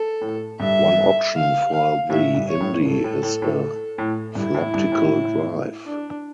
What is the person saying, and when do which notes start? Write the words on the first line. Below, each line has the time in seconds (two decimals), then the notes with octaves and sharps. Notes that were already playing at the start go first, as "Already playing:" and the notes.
One option for the Indy is a floptical drive.
Already playing: A4
0.21 A2
0.60 G2 E5
1.35 F5
1.73 F5
2.10 A2 E5
2.35 G2
2.48 C#5
2.61 A2
2.86 G2 A4
3.04 A2
3.23 A2
3.42 A2
3.98 A2
4.35 G2 E4
4.54 A2
4.74 G2
4.92 A2
5.86 D4